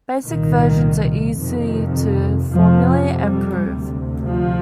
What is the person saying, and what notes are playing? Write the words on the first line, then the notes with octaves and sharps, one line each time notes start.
Basic versions are easy to formulate and prove.
C2 A#2 D#3
F2 C3 D#3
F2 C3 F3
G3
D2 C3
F3